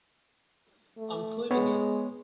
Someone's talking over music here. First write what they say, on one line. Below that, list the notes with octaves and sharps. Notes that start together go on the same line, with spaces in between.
I'm cleaning it.
A3
G#3 B3 C#5